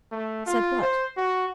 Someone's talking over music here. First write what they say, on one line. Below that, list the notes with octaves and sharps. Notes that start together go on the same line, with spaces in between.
"Said what?"
A3
F4
C5
F#4